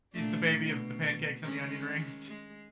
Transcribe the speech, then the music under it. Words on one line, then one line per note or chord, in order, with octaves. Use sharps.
She's the baby of the pancakes and the onion rings.
A#2 A3 D4
B2
D#3 G#3 C#4
G#3